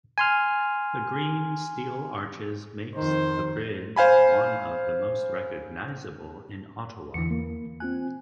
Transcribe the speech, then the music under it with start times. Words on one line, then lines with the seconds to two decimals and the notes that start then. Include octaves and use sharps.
The green steel arches makes the bridge one of the most recognizable in Ottawa.
0.18 G#5 C6 F6
2.94 F2 D#3 C5
3.96 C5 F5 G#5 B5
7.14 E2 D3 E3 C#7
7.31 A#3
7.80 C4 F4 G#5 F#6